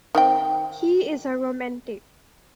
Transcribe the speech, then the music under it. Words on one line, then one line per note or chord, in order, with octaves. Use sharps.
He is a romantic.
D#3 C4 G5